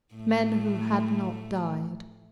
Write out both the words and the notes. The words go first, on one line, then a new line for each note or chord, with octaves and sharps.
Men who had not died!
A2 A3